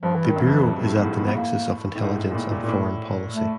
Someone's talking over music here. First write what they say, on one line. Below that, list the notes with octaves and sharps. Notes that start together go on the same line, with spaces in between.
The Bureau is at the nexus of intelligence and foreign policy.
G2 F3
E3
G2
D#3
F#2
E3
F2
G2
A2
G#2
A2
A2
B3
A#3
A2
G#2
G#2
A#2
A2
A#2
A#2
A2 A3
A3